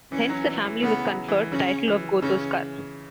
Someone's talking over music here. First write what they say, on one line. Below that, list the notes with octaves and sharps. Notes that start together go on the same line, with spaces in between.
Hence the family was conferred the title of Gothoskar.
E3 C#4
F#3
E3
E3
C#3 B3
F#3
E3
C#3 C#4
E3
C#3 C#4